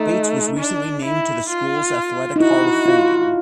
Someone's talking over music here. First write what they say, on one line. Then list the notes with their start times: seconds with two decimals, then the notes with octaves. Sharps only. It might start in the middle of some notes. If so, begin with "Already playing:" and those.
Bates was recently named to the school's athletic hall of fame.
Already playing: A3 D#4
0.58 D4
1.04 E4
1.49 F4
2.36 D#4
2.40 E4 F#4
2.86 F4